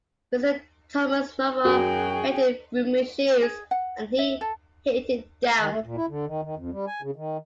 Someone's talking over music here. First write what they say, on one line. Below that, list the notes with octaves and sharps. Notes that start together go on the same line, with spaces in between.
Mr. Thomas Marvel hated roomy shoes, and he hated damp.
F#2 F#4 G#4 G5
G#4
F#5
E5
A4
D#3
A3
A#2
E4
D3
D#3
D#3
F2
G3
G#5
C#3
D#3